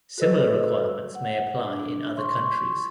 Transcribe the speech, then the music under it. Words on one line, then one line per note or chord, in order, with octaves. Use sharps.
Similar requirements may apply in other countries.
F#4 A4 B4 C5 D#5 E6
F#5
D4
C6 C#6